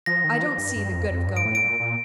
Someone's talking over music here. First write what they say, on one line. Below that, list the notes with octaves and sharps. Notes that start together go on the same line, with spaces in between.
I don't see the good of going.
F3 A#6
D#3
F3
G2
G2
F2
F2
G2
D7
A2
D7
A#2
A#2